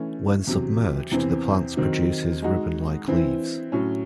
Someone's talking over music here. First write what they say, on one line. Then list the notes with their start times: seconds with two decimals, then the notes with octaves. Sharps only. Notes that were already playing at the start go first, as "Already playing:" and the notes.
When submerged, the plant produces ribbon-like leaves.
Already playing: E3 A3 C#4
0.47 E2 C3 F#3
1.12 E2 C3 E3 C4
1.77 D#3 F#3 C4
2.42 G#3 D#4 F#4
3.08 E3 C4 E4
3.72 A2 F#3 C#4